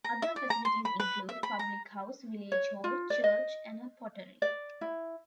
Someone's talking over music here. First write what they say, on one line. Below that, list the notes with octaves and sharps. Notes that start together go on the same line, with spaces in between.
Other facilities include: Public House, Village hall, Church and a Pottery.
A#5
E5
D5
A#5
C6
B5
B4
E5
B5
A#5
C#5
F4
D5
D#5
D5
E4